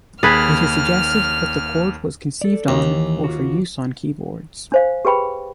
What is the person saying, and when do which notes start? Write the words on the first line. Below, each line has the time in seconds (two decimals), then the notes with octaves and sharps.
It is suggested that the chord was conceived on or for use on keyboards.
0.23 D#2 G#4 B4 F6 A6
2.42 A4 D5
2.68 D#2 D3 F#4
2.83 E3
3.24 F4 F#4
4.72 D4 C5 F5
5.05 G4 G#4 B4 G5 B5